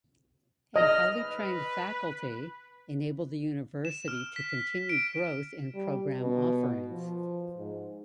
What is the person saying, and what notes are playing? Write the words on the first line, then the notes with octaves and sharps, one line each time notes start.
A highly trained faculty enabled the university to continue growth in program offerings.
D#5 F6
B4
E7
F6
B6
D7
G3
B2
F3
G#2